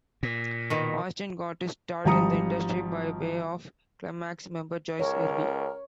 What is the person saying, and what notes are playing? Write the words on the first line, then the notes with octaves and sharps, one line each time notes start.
Austin got his start in the industry by way of Klymaxx member Joyce Irby.
A#2
B2 D#3
G#1 F3 G3 A#5 D#6 C#7
C#2 A#4 C#5